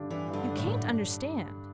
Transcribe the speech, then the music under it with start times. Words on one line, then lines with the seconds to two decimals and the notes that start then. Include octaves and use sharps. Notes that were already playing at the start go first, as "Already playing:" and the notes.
You can't understand.
Already playing: G2 D3 G3 D4
0.10 E3 D4
0.28 G2
0.33 D3
0.45 D4
0.57 A2
0.63 D3